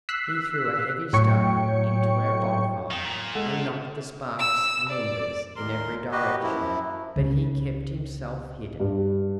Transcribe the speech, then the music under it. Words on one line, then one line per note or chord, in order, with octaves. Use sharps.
He threw a heavy stone into our bonfire and knocked the sparks and embers in every direction, but he kept himself hidden.
E6 F#6 B6 C7
A2 F#3 C#5 G5 C#6 C#7
D#3
A#2
G#3 A4 F#5
E6
D5
D#2 A#4 C6
A#3 F#4 G4 B4 D#5
F#2 F3 E4
C#2 C#3
G2